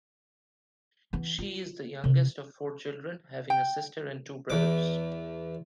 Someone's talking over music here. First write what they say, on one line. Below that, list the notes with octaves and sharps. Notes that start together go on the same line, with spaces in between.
She is the youngest of four children, having a sister and two brothers.
E3 B3
F4
C3
G5
E2 D6